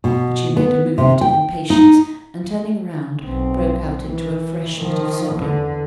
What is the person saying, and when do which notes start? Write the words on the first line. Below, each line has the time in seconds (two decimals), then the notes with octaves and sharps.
But she made a movement of impatience, and turning round, broke out into a fresh fit of sobbing.
0.04 B2
0.57 B3
0.98 C3
1.21 G5
1.70 D#4
3.22 B1 C4
4.04 E3
4.77 D#3 F3
5.35 E2 D3